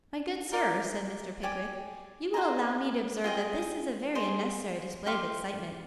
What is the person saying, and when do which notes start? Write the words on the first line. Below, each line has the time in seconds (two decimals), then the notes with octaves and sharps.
'My good sir,' said Mr. Pickwick, 'you will allow me to observe that this is a very unnecessary display of excitement.
0.52 D#4 A#4 D5
1.43 G4 D5 G#5 D6
2.34 G#4 C5 D#5 A#5
3.24 F4 G#4 D#5 G5
4.15 G#4 C5 D#5
5.06 G4 D5 F5 C6